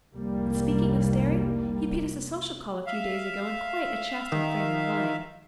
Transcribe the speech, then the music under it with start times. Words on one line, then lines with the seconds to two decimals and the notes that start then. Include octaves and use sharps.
And speaking of Sterry, he paid us a social call a few days ago, in quite a chastened frame of mind.
0.15 F1 C2 G3 A#3
2.87 E5 F5
4.32 D#3